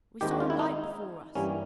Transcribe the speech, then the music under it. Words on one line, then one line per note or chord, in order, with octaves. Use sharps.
We saw a light before us.
D#2 D#3 G#3 C4 G4
F#4
F4
E4
D#4
G2 E3 G3 A#3 C#4